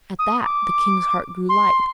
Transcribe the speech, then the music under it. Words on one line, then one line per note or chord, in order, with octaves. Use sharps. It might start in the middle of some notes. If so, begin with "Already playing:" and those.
At that the king's heart grew light.
D#6
D6
C6